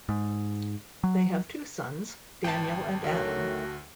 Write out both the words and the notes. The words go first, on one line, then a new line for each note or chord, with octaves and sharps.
They have two sons, Daniel and Adam.
G#2
F#3
G#1 G5 A5
D2 D#3 F#3 A3 F#4